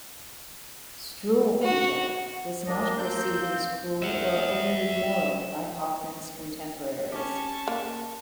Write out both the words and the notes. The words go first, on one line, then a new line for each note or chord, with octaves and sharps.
"Struwwelpeter" was not perceived as cruel or overly moral by Hoffmann's contemporaries.
F#4
A#3 D4 D#5
C4 G6
F5
E5 F#5
C#4 G4 A5 C#6
A#3